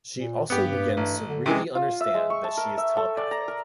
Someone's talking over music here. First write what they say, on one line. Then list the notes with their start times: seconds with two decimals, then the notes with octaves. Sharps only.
She also begins to really understand that she is telepathic.
0.17 A#2
0.50 G2 B3 G4
0.97 A1
1.28 D3
1.46 C3 E3 G#3 C#4
1.75 F4
2.01 E5
2.14 G#3
2.30 C#6
2.44 A5
2.57 A#4
2.78 E5
2.97 A4
3.17 D5
3.31 A#5
3.48 A#4